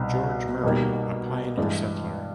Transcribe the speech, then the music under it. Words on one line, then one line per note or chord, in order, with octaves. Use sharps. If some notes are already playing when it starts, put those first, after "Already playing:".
George Murray, a pioneer settler.
Already playing: C2 B2 G3 C4 D#4
B2 G3 A#3 D#4
G2 E3 G#3